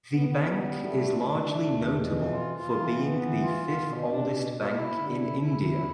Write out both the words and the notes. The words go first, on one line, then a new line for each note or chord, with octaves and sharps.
The bank is largely notable for being the fifth oldest bank in India.
B3
B3
G3
A3
D4
D4
A3
E2
B2
E3
F4
F4
E3
B3
E3
F4
F4
B2
D4
B2
B2
E4
D3
E4
E4
E4